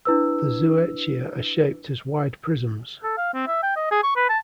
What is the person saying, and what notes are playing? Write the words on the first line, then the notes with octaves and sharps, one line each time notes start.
The zooecia are shaped as wide prisms.
D4 E4 B4 E6
A4
F5
C4
E5
G5
D#5
G#4
C#6
B4
A5